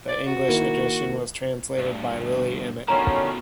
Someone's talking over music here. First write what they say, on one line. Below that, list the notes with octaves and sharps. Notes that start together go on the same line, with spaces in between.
The English edition was translated by Lily Emmet.
D5
F#4
D#3 A#3 E4
D2 G2
B2 D3 D#3 F3 C#4 A#5